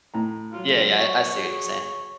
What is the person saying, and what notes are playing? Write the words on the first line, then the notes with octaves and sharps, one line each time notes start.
Yeah, yeah, I see what you're saying.
A2 A#5
F#3 F4
C#5
F#4 G#4